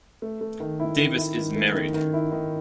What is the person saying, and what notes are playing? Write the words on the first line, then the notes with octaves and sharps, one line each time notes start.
Davis is married.
A3
A3
D#3
E4
D#3
E4
D#3
A3
D#3
D#3
E4
D#3